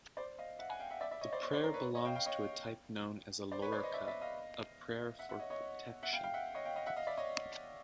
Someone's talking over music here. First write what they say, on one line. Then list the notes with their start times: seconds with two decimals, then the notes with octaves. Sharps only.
The prayer belongs to a type known as a "lorica", a prayer for protection.
0.17 C5 D5
0.38 D#5 F5
0.59 E5 F#5
0.70 F#5 G#5
0.80 F5 G5
0.90 E5 F#5
1.01 D5 E5
1.11 D5 E5
1.21 C#5 D#5
1.32 C5 D5
1.42 C#5 D#5
1.53 C5 D5
1.63 A#4 C5
1.74 B4 C#5
1.95 C#5 D#5
2.05 F5 G5
2.16 F5 G5
2.26 C#5 D#5
3.51 C5 D5
3.62 B4 C#5
3.72 C5 D5
3.83 C#5 D#5
3.93 D5 E5
4.08 D5 E5
4.21 D#5 F5
5.19 E5 F#5
5.29 E5 F#5
5.40 C#5 D#5
5.50 C#5 D#5
6.03 E5 F#5
6.13 F5 G5
6.23 F5 G5
6.34 E5 F#5
6.54 C#5 D#5
6.65 F5 G5
6.76 D#5 F5
6.86 E5 F#5
6.96 D#5 F5
7.07 D5 E5
7.17 C#5 D#5